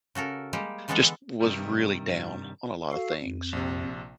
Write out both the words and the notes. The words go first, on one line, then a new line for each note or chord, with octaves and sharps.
just was really down on a lot of things.
C#3 F#4 A4 A#4
G3 G#3 A#3 G4
D3 E3 G#3 B3 D4 A4
G2 C3 D#3 G3
F#4 A4 F5
F2
A#1 C3